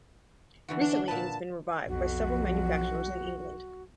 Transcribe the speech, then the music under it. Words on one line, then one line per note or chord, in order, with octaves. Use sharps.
Recently it has been revived by several manufacturers in England.
D3 E3 F#4
D4
A#2 B4 A5
B1 F2 F#4